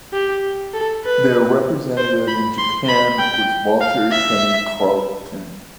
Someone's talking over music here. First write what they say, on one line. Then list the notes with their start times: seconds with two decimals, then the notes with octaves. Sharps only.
Their representative in Japan was Walter Tenney Carleton.
0.13 G4
0.74 A4
1.05 B4
1.97 C5
2.28 B5
2.58 C6
2.89 B5
3.19 G5
3.81 F5
4.11 E5